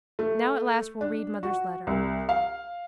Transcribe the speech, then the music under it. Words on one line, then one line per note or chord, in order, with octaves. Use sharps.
Now at last we'll read mother's letter.
A3
D4
F#4
C2
F5